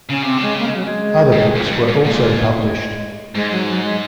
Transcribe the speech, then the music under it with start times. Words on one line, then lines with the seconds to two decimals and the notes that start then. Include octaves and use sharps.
Other books were also published.
0.10 C#3 C#4
0.23 C3 C4
0.37 C#3
0.42 G#3
0.59 A#3
0.67 G#3
0.76 F#3
0.85 G#3
1.32 G#2
1.40 F#2
1.56 F2
1.67 F2
1.73 F#2
1.88 G#2
2.05 A#2 G#3
3.35 G#2 G#3
3.52 F#3
3.68 F#3
3.84 G#3